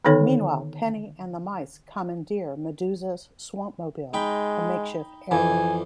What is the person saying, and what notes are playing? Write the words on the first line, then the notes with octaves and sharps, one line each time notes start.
Meanwhile, Penny and the mice commandeer Medusa's swamp-mobile, a makeshift airboat.
D3 D#3 B3 D#4 A4 C#5
G#3 D#4 G5 B5
F2 E3 G#5